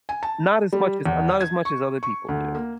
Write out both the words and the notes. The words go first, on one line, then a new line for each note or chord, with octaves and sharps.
Not as much as uh, not as much as other people do,
G#5
A5
G3
E2
G#6
C#6
C#6
D2
A#3